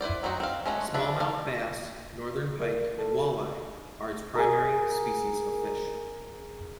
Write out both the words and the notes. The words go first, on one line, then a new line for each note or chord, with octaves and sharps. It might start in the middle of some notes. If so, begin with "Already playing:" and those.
Smallmouth bass, northern pike and walleye are its primary species of fish.
E4 B4 C5 D5
F#3 C4 D#4 F#4
C4 F5
G#3 A3 C#4 F4 F#4
F3 D4 B4 E5
A#3 A4 F5
A#2
A4
G#4 A#4